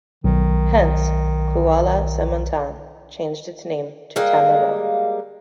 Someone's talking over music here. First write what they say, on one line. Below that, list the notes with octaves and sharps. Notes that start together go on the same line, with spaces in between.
Hence, Kuala Semantan changed its name to Temerloh.
B1 D#3
G3 G#3 A#3